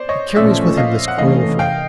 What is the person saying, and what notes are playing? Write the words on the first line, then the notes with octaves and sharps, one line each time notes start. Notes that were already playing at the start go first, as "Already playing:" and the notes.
He carries with him this coil of rope.
Already playing: C5 D5
C#5 D#5
A#2 F3 A3 C#4 D5 E5
D#5 F5
F#5
C3 E3 A3 C#4 D#5 F5
F5 G5